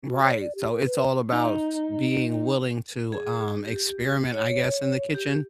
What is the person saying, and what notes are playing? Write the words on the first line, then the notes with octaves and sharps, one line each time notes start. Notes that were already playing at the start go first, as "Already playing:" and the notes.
Right. So, it's all about being willing to, um, experiment, I guess, in the kitchen,
F#4
C#5
D5
G4
A#4
B4
D#4
G#4
G4
C#5
G4